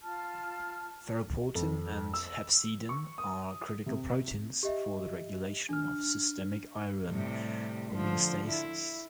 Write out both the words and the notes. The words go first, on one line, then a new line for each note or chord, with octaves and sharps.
Ferroportin and hepcidin are critical proteins for the regulation of systemic iron homeostasis.
F4 A5 F6
F2
E6
C#6
D#6
C3
G4 D#5 E5
D4 F6
A2 C3 G3
D3 F3
E4